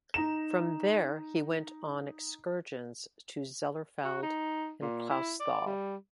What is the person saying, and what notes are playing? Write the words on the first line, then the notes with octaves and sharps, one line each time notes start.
From there he went on excursions to Zellerfeld and Clausthal.
D#4 A#5 E7
F#4
D#4
A#2
E4
D5
G3